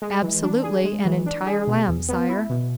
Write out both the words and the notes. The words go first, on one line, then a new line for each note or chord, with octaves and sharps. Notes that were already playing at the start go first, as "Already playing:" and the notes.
"Absolutely an entire lamb, sire."
G#3
E3
D4
G#4
G#3
E3
D4
G#4
B2
E2
B3
E4
B2